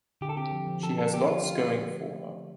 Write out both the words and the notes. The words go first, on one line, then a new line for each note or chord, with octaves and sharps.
She has lots going for her.
D3 G4
A4
C4 G4
F3
F3
F3 A4
C4 A4
D3 G4
F4 G4
A3 F4
A3 F4